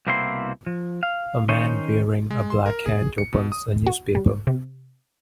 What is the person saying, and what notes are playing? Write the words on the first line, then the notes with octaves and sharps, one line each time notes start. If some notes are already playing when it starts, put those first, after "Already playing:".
A man wearing a black hat opens a newspaper.
C2 B2 A#3 C4 E4 C6
F3
F5
D#3 C#4 D#4 C5 C#5 D#5
G#3
C6
A#4
G#4
C#7
B2
D#6
F#4
G3
C3